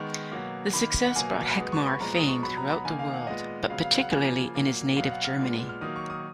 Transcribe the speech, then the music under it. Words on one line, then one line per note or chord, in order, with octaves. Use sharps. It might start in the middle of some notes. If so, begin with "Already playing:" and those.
The success brought Heckmair fame throughout the world, but particularly in his native Germany.
Already playing: D#3 G#3 B3 C#6
B2 F#3 A#3
D#3 A#3 B5
F#5
B2 F#3 A#3 G#5
B2 G#3 B3 D#6
C#6
B5
A#2 F3 G#3 B3 A#5
D#6
C#6
B2 F#3 B3 B5
A#5
B5
D#3 A#3 G#5
F5
F#5
A#2 G#3 B3 D#5
C#3 F#3 B3 F5
F5
F#5
C#3 F3 A#3 G#5
A#2 F#3 A#3
B2 F#3 B3 F5
F#5
F6
A#2 G#3 B3
F6
D#3 F#3 A#3 D#6
C#6
D#6